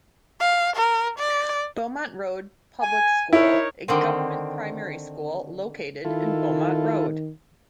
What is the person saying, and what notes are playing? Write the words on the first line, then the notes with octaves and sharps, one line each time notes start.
Beaumont Road Public School, a government primary school located in Beaumont Road.
F5
A#4
D5
G#5
D#4 E4 A#4 C#5
D3 D#3 C4
D#3 E4 F4 A4